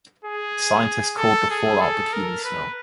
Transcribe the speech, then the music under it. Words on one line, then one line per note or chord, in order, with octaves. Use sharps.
The scientists called the fallout Bikini snow.
G#4
A4
G#4
A4
A#4
B4